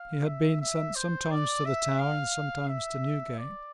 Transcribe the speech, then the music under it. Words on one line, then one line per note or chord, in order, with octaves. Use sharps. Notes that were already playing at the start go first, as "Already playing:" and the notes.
He had been sent sometimes to the Tower, and sometimes to Newgate.
Already playing: F5
E5
E5
C5
D5
E5
F5
E5
D5